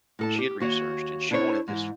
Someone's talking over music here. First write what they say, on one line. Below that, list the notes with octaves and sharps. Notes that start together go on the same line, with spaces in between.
she had researched, and she wanted this
A2 A4 A5
G4
D#2 F#4 C#5
D4 E4 A4 C5 C#5
G#2 E3